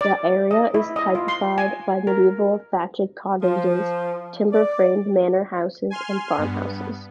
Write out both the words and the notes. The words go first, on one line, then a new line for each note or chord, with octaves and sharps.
The area is typified by medieval thatched cottages, timber-framed manor houses and farmhouses.
D5
D#5
E4
D#5
F4
C6
G#5
A#4
F3
D5
G#5 C6 F6
G2 B3